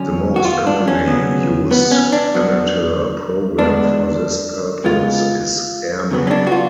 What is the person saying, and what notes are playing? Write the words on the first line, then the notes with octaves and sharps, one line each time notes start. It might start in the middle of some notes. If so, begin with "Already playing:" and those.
The most commonly used Amateur program for this purpose is "Airmail".
Already playing: F#2 D3 F#3 C#4
F#4
F4
D4
C#4
C#3 F#3 B3
B3
C#4
D4
B2 F#3 B3
B2 G#3 B3 D4
C#3 G#3 B3 F4
C#3 F#3 B3
C#4
D4
F#4
F4